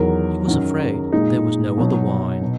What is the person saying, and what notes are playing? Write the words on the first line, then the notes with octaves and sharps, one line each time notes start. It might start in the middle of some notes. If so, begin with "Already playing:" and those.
He was afraid there was no other wine.
Already playing: E2 D#3 F#3 A#4
F#2 D#3 F#3
A#2 G#3 D#4
B2 F#3
B2